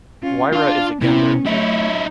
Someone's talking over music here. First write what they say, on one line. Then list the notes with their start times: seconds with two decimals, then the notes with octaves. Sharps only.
Moira is again there too.
0.22 C#4 F4
0.53 D4 F4 F5
1.02 C3 B3 C#4 E4
1.46 F#3 A3 D#4 E4 C#5